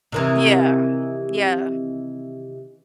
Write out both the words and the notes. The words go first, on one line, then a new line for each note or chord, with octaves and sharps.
Yeah, yeah.
C3 D#3 E3